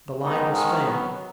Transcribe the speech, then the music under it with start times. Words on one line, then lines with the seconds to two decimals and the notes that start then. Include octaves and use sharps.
The light was faint.
0.24 G#2 D#3 B3 D#4
0.54 G#3 C#4
0.85 F#3 B3